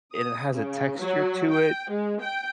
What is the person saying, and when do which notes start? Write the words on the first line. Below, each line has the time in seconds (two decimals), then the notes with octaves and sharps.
it has a texture to it
0.13 D#6
0.54 C#3
1.01 F#3
1.52 G5
1.91 G#3
2.21 G5